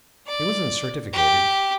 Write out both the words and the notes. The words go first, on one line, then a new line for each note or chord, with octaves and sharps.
He wasn't certificated.
D5
G4